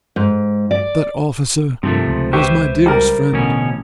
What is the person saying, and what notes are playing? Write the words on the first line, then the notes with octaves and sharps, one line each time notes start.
That officer was my dearest friend.
G#2
D5
G2 C3 D#3 F3 A3
C#2
G4 B4 C5 E5 C#6
G3 A#4
A1 D2 B2 C#4